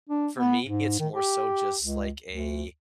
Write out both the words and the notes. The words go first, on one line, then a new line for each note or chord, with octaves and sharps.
for me, it's more so just like a
D4
B3
G#2
D#3
G4
C#2
D2